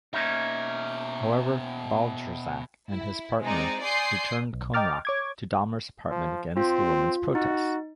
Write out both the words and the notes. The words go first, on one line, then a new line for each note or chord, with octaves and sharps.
However, Balcerzak and his partner returned Konerak to Dahmer's apartment, against the women's protests.
B2 A#3 C#4 D#4 E5
E4
G#3 C4 D#4 D5
D5 G#5 C6 D#6 G6 C7
B1
D#5 G5 A#5 D6 F6 A6
C#5 D6 G#6
F3
C4 F4
D#4 F#4